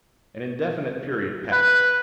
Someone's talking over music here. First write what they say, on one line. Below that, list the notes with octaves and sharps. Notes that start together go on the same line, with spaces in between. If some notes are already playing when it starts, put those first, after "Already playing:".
An indefinite period passed.
B4